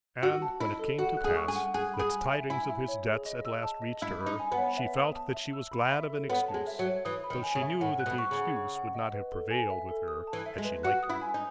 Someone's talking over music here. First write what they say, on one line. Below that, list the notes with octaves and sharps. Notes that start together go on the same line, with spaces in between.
And when it came to pass that tidings of his debts at last reached her, she felt that she was glad of an excuse, though she knew that the excuse would not have prevailed with her had she liked him.
F#4 E6
A5
E4 D#5
A4
F#4 F#5
F#6
G#4
C#6
G#4
F#5
G#4 F#6
B5
G#4
G#5
E5
E4 G#5
E5
C#5
G#4
D#5
E6
A5
D#5
E4 E6
B5
D#4
G#5
B3
C#5
E5
D#6
A5
E5
E6
B5
E5
A4
B3 C#5
A5
G#3
E5
F#3
C#5
E3 D#6
B5
D#3
G#5
C#3
E5
A2 F#5
F#6
B2
C#6
C#3
F#5
C#6
F#5
D#5
B4
A4
G#5
E5
A4
D#6
A5
E3
E5
G#3
B4
F#4 F#6
D#6
E4
G#5
D#4